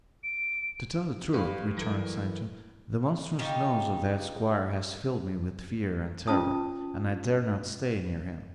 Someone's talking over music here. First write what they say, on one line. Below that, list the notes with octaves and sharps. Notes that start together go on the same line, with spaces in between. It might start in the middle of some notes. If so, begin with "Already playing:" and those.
"To tell the truth," returned Sancho, "the monstrous nose of that squire has filled me with fear and terror, and I dare not stay near him."
D7
G2 G4 B4 F5 B5
E3 F#3 E4 A4 A#4 D7
C#3 F3 D#4 G4
C#4 F4 A5 D#6